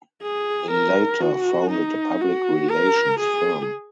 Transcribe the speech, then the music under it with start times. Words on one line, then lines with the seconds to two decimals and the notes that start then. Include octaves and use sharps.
He later founded a public relations firm.
0.22 G#4
0.71 A#4
1.22 F#4
1.71 D#4
2.21 F#4
2.70 A#4
3.20 G#4